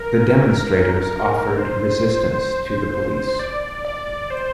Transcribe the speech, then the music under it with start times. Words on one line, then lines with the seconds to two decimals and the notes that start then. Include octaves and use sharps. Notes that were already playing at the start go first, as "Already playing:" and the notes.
The demonstrators offered resistance to the police.
Already playing: A#4
1.58 C5
3.39 D5
3.85 D5
4.30 C5